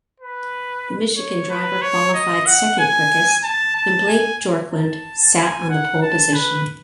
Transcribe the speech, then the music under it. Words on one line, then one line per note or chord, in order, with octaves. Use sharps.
The Michigan driver qualified second quickest and Blake Bjorklund sat on the pole position.
B4
C#5
B4
C#5
D#5
F#5
G#5
A5
A5
G#5
A5
G#5
F#5
A5
B4